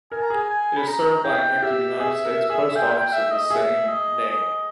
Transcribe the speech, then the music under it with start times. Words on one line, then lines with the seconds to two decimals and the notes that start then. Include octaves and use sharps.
It is served by an active United States post office of the same name.
0.12 A#4 G#5
0.22 A#5
0.30 G#4 G#5
0.50 G#5
0.77 B5
0.87 A#5
1.24 E4 G5
1.62 G4 E5
2.00 G#4
2.25 A#4
2.50 G#4
2.75 G#4 G5
2.90 E5
2.94 G5
3.13 E5
3.31 D#5
3.50 G#4 E5
3.88 D#5
4.26 D#5